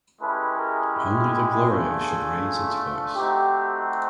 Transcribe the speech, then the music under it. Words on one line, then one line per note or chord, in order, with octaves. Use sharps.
Only the Gloria should raise its voice.
G#3 C#4 E4 G4 A4 B4
G#4 A#4
G#4
A3 D4 F4
A3 C4 D#4 F#4 G4